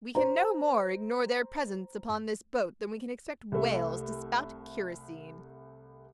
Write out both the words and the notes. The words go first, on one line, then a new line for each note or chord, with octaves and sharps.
We can no more ignore their presence upon this boat than we can expect whales to spout kerosene.
C5 A#5
C2 A3